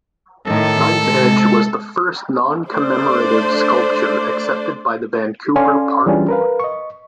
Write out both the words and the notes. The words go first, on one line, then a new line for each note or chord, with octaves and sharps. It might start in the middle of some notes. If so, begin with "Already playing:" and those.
Knife Edge was the first non-commemorative sculpture accepted by the Vancouver Park Board.
A2 D#3 A4
C3 G#3
A3 D4 C5 D5
C#4 A4 D5 F5 G#5 C6
E3 G3 C#4 D4 F4 G#4
A#4 B4 F5
D#5 C#6